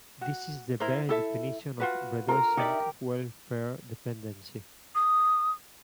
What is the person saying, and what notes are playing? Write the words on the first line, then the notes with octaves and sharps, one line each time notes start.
This is the very definition of reducing welfare dependency.
F#4
E4 A#4 C5
E4 A4 E5
F4 F#4 B4
F4 A#4 A#5
D#4 G4 D5 E5
D#6